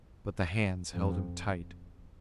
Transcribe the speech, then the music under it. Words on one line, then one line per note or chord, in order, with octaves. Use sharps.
But the hands held him tight.
F2